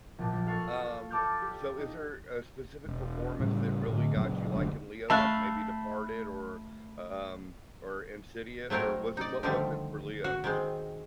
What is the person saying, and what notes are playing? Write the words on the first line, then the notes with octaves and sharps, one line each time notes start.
Um, so is there a specific performance that really got you, like, in Leo, like, maybe Departed, or, um or Insidious, or was it what was it for Leo?
A#1 A#2 A5
F3
A4 F5 C#6 F#6
A4 D5 A5 D6 F6 G6
G4
D#4
E1
A2 C#3 G3
A2 D3
A#2 C#3 F#3 G#3
F1 D3 D4
A3 F5 A5 B5 F#6
F#3 A3 C4 A#4 C#5
D#4 D5
D3 D#3 F3 G3 A3 C4
F#4
D#3 G#3 C4